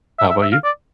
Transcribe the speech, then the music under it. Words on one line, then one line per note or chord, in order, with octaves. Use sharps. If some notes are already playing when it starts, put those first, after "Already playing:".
How 'bout you?
E5
E5
E5
F5
D5